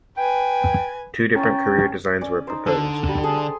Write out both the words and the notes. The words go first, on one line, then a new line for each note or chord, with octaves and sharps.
Two different carrier designs were proposed.
B4 G5 G#5
C#4 G5 A#5 C#6 A6
C#4 D5
D#4 C5
D3 A4
G3
G#4 A4
C6